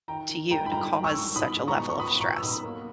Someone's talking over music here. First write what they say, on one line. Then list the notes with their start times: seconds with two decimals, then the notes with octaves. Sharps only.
to you to cause such a level of stress.
0.08 D#3 G5 A#5
0.29 D#3
0.51 G#3 G5 A#5
0.66 B5
0.72 G2 G5 A#5
0.93 G#3
1.04 C#6 E6
1.15 G2
1.36 B2 B5 D#6
1.57 G#3
1.68 A#5 C#6
1.79 B2
1.90 C#6
1.99 B3 B5 D#6
2.20 B2 A#5 C#6
2.36 E6
2.42 B2 B5 D#6
2.63 A#3